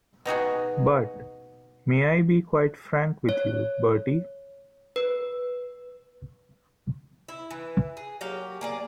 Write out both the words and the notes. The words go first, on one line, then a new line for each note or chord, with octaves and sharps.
But — may I be quite frank with you, Bertie?
B2 D#4 F#4 G#4
C#5
B4
E4
E3
G#4
F#3 A#3 G4 F5
A#3 G#4 D5